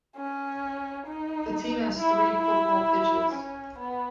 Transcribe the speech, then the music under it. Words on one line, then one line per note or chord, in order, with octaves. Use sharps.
The team has three football pitches.
C#4
D#4
E4
E4
C#4
B3